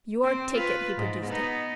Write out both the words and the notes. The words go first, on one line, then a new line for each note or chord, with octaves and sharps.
"Your ticket." He produced it.
C4
F4 B4
G#2
B3 D#4